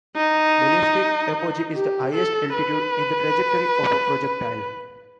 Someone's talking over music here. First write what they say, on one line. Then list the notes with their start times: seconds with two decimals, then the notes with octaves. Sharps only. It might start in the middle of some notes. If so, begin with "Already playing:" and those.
Ballistic apogee is the highest altitude in the trajectory of a projectile.
0.16 D#4
1.75 G4
2.15 A4
2.55 B4